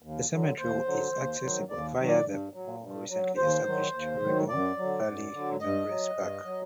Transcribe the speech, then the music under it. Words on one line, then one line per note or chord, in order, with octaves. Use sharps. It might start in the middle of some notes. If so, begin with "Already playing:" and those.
The cemetery is accessible via the more recently established Ribble Valley Remembrance Park.
D#2
D3 F#3
D#2 C5
D3 F#3
D#2
D#3 F#3
D#2 D5
D#3 F#3
D5
G2
F#3
G2
F#3
D#2 C5
D#3 F#3
D#2
D#3 F#3
F#2 D5
D3 F#3
F#2
D3 F#3
G2 D#5
F#3
G2
F#3